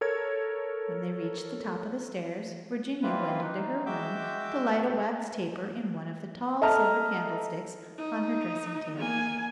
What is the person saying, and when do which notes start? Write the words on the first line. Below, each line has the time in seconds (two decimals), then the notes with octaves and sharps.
When they reached the top of the stairs, Virginia went into her room to light a wax taper in one of the tall silver candlesticks on her dressing-table.
0.01 A4 A#4 C#5 G#6
3.03 D#3 E3 A#3 C4 F4 B4
3.43 D#4
3.86 G#3 F#4 E5 G5 D6 G6
4.84 B2 G3
6.61 A4 D#5 E5 A5 A#5 F6
7.97 D#4
8.97 A#3 G#5